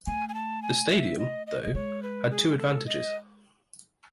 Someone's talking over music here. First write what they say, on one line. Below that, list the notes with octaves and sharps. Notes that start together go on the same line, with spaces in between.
The stadium, though, had two advantages.
A3 G#5
G#5
A5
G#5
E5
D#5
D#5
A3 D#5
G#3 C#5
B4
G#4
G#4
A4
D#5